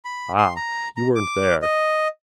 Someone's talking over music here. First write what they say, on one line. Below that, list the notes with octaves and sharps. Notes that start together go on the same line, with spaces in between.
Ah, you weren't there.
B5
C6
A#5
A#5
D6
D#5